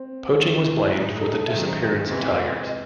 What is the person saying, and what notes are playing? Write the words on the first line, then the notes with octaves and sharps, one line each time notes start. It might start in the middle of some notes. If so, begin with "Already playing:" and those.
Poaching was blamed for the disappearance of tigers.
Already playing: C4
D#2 D#3 A3 C4 C#4
E4
E4
A2 G#3 D#4
A4
A4
F#2 D#3 G#3 C4 D#4 E5
E2 C3 E3 G#3 C4
D#5